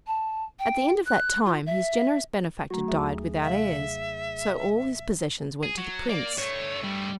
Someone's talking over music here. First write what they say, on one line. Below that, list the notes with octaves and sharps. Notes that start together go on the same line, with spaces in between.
At the end of that time his generous benefactor died without heirs, so all his possessions went to the prince.
A5
G5
F#6
F4
E5
F#3 A3 F#4 A#5
D#2 G#4 E5
C3 E5 F5
G#4
F#3
A#3 D5
G2 A3 C#5
G3